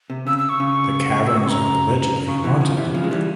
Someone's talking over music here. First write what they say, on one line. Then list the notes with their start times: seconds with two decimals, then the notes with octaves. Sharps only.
The Caverns are allegedly haunted.
0.10 C3
0.27 C#3 E6
0.38 E6
0.49 C#6
0.60 C#3
1.27 C3 E6
1.38 C#6
1.43 C#3
1.49 A#5
2.28 C#3 C#6
2.44 C3 E3
2.61 C#3 F3
2.77 C3 E3
2.94 C#3 F3
3.04 G#3
3.11 E3 G3